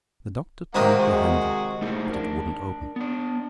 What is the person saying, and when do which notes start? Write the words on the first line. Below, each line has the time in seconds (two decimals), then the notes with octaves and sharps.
The Doctor turned the handle but it wouldn't open.
0.75 C3 D#3 G#3 A#3 F#5
0.99 F#4 G#4
1.82 A3 D#4 E4 G4 G#4 C5
2.11 D4 A#4
2.96 B3 D4